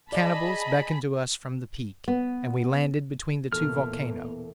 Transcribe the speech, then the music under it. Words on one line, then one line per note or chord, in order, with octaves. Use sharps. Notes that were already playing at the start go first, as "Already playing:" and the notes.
The cannibals beckoned to us from the peak, and we landed between the two volcanoes.
G#4 D5 D#5 A5 B5
B3
E1 A#2 B3 A4 A#4 F6